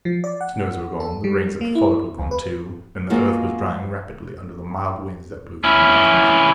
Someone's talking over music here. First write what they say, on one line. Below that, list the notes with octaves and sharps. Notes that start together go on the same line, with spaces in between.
The snows were gone, the rains that followed were gone, too, and the earth was drying rapidly under the mild winds that blew from the mountains.
F3
D5
F#5
A4
G3
A#3
E4
C#2
B4
G#3 A#3 F4 F#4
C#4 E4